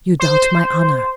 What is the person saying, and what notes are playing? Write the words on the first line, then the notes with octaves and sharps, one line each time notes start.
'You doubt my honour?
C5